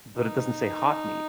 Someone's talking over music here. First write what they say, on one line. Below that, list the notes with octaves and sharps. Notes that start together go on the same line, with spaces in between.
But it doesn't say, "hot meat."
D#4